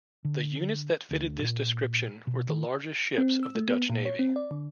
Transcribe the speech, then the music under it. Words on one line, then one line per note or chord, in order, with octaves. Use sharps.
The units that fitted this description were the largest ships of the Dutch navy.
D3
D2
A#2
B2
D#3
C4
E6
A3
B3
A#2
C#5
C4
D5
D3